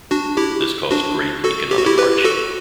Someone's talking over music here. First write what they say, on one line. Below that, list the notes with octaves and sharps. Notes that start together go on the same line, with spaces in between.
This caused great economic hardship.
D4 F#4
E4 G4
D4 F#4
F#4 A4
G4
F#4
E4 G4
G4 B4
F#4 A4